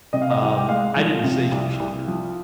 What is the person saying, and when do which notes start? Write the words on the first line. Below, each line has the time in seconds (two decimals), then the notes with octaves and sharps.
um, I didn't say she should have.
0.13 C3 D#5
0.22 F5
0.31 D#5
0.42 C2
0.57 G5
0.69 G#3 F5
0.97 F3
1.24 C3
1.52 C2
1.80 C2
2.08 F3